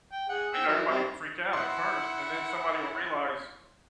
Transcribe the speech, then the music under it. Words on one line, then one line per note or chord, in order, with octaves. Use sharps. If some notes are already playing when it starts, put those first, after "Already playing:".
We know everybody will freak out at first, and then somebody will realize,
G5
G#4 F#5
G5 E6
E3 F#3 E4
G3 C4
E4 F#5 C6 F#6